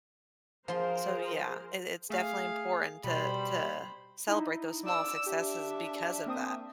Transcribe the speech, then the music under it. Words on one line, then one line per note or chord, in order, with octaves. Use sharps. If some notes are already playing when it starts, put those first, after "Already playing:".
so yeah, i it's definitely important to to celebrate those small successes because of that.
F3 G#4 A#4 C5 C6
A3 G#4 F5
B2 G3 C5 B5
D#4 E4
D5 E6
D4 G4 E5
A#3 C4 D#6